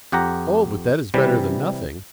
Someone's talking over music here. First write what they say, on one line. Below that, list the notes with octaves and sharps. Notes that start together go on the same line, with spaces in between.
Oh! but that is better than nothing....
F2 G4 F#5 A#5
C3 E3 G3